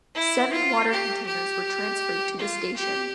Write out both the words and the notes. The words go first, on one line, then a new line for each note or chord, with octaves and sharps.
Seven water containers were transferred to the station.
E4
F4
G4
G4
F4
G4